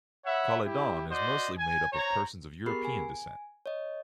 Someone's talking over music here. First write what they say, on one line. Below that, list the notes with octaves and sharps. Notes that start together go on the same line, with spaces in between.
Caledon is mostly made up of persons of European descent.
C#5 E5 F#5 B5
E4 G4
F#4 C5 D5 D#5
G#5
C5 C#5 A#5
B3 G4 G#4 A#4 B5 C7
G#5
C#5 D#5